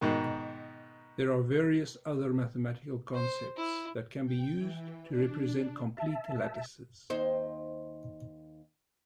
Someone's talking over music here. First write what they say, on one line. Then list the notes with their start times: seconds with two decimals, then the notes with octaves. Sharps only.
There are various other mathematical concepts that can be used to represent complete lattices.
0.01 G#2 B2 D#3
3.14 C5
3.57 E4
4.26 G5
4.58 E3
5.10 D4
5.97 E5 A5
7.10 D#2 D#4 C5